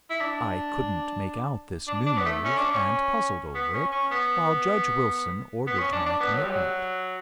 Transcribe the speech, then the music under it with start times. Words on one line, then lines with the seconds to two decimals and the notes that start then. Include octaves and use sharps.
I couldn't make out this new move, and puzzled over it, while Judge Wilson ordered my commitment.
0.10 E4
0.20 D4
1.87 D4
2.06 D4
2.17 B3
2.25 A3
2.44 C#4
2.57 D4
2.71 C#4
3.55 B3
3.73 C#4
3.92 C#4
4.11 B3
5.67 B3
5.78 C#4
5.92 D4
6.06 D4
6.20 B3
6.33 F#3
6.43 G3
6.51 F#3